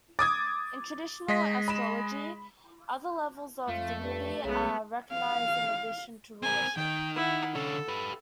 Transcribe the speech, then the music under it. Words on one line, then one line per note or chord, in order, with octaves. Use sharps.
In traditional astrology, other levels of Dignity are recognised in addition to Rulership.
D6 D#6 G#6 A6
G#3 D#5 B6
B5 E7
F2 A3 F4
G2
B1 C#3 G#3 B3
F5
C4 A#4 G#5
D#3 G5
E4 F#5
D3 C#4 A4
G4 B4